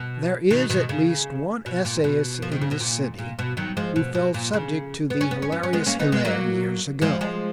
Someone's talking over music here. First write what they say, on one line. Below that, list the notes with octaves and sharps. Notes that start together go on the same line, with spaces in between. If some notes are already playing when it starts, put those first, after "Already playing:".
There is at least one essayist in this city who fell subject to the hilarious Hilaire years ago.
Already playing: B2
B2 D#3
B2 D#3
C#3
B2
A#2
B2
F3
D#3
C#3
B2
A#2
A#2
B2
D#3 F#3
F3 G#3
B2
B2
A#2
C#3
B3
C#4
B3
C#4
B3
C#4
G#3 B3
A#3 C#4
B3 D#4
G#3 B3
F#3 A#3
F3 G#3
F3 G#3